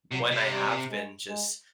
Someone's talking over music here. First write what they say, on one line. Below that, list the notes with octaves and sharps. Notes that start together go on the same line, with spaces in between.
when I have been just
C3 F#3
C3
G3
G#3
G#3